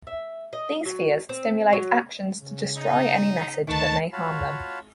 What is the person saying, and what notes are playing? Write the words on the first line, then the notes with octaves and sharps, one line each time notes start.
These fears stimulate actions to destroy any message that may harm them.
E5
D#5
F#3
C4
F#3
C#3
D#4
D2 D#3 B4 A5 C#6
F4 F#4 C#5 F5 A5 B5